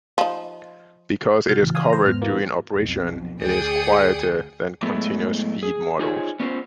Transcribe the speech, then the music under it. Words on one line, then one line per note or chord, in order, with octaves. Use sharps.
Because it is covered during operation, it is quieter than continuous feed models.
F3 D#4
C3 F#4 F6 G6 A6
A1 C#3 E3
F5 G#5 D#6
C5 A#5
E2 G#2 B3 F6
B2 E3 A#3
B1 F2
D2 G#4 D5 G5 D#6 C#7
A2 F#3 G#3 A3 B3 E4
G#4
D#4 F4 G#4 C5 C#5
B3 C#4 F4 A#4 C5